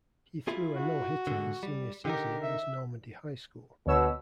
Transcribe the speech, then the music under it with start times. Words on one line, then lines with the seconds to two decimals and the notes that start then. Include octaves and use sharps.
He threw a no-hitter his senior season against Normandy High School.
0.48 E4 F4 G#4
0.77 F#4
1.27 G#2 D3
1.63 G3
2.05 D3 D#4 G4 A#4
2.43 E5
3.87 D2 B2 C#5 E6